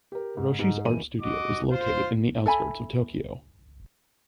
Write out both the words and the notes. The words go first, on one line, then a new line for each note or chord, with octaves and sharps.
Haroshi’s art studio in located in the outskirts of Tokyo.
G4 A#4
G#2
G#2 D#4
F#1 E3 A#3 D#7
F#4 D#5 D6
F4 C5
A4 E5 G#5 B5